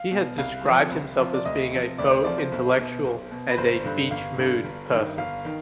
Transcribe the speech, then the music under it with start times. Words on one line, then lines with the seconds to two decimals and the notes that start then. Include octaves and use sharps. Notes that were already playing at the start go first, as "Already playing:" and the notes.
He has described himself as being a "faux intellectual" and "beach mood" person.
Already playing: F5
0.11 B2
0.38 C2 F5
0.66 C3 F3
0.91 C2
1.18 C3 F3
1.34 D5
1.45 D2 D#5
1.72 C3 F3
1.98 D2 D5
2.11 C5
2.24 C3 F3 D5
2.38 C5
2.52 B1
2.79 B2
3.05 B1
3.31 B2
3.50 B4
3.57 G1 C5
3.84 G2 D3
4.11 G1 F5
4.37 G2 D3
4.64 G1
4.90 G2 D#3
5.18 G1 F5
5.45 D#3